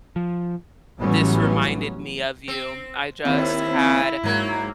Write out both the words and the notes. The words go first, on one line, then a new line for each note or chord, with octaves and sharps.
this reminded me of you." I just had
F3
A1 E3 F#3 G3 B3 C#4
C4
D#2 C4 E4
G#2 F#3 A#3